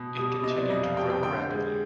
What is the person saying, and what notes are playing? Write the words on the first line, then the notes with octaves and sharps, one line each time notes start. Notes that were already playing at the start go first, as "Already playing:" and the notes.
It continued to grow rapidly.
Already playing: B2
G3 D#6
D6
C3 D#5
D5
F2 D#5
F5
G3 G5
G5
D3 G5
G#3